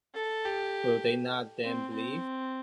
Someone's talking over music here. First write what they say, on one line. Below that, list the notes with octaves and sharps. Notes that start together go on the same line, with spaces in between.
Will they not then believe?
A4
G4
C4
C4